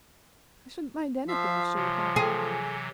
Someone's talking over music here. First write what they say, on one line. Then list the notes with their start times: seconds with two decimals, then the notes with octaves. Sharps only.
I shouldn't mind anything if she would have me.
1.28 F3 E5 F5 E6
1.75 C3 E3 F#3
2.16 G#4